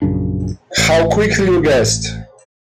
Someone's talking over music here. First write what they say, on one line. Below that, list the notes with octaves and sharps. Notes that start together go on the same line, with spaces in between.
How quickly you guessed!
A#1 F#2 C#3 D4
A1